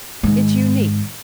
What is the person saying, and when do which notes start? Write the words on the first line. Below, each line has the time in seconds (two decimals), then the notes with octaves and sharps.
It's unique.
0.23 G#2 D#3